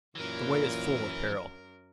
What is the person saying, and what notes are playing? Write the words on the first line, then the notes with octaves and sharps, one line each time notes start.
The way is full of peril.
F#2 A#2 E3 A#4